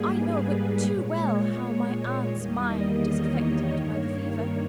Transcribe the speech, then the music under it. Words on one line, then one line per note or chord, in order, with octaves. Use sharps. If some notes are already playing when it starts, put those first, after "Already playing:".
"I know but too well how my aunt's mind is affected by the fever."
Already playing: G#2 G3 A#3 G#4
B4
A#2 G#3 C#5
E2 D#3 G3 A#3 D#5
C#5
G2 D#3 A#3